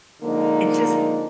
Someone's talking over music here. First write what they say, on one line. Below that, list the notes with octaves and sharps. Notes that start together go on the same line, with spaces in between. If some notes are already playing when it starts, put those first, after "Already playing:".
it's just
D3 F3 G#3 A#3 D#4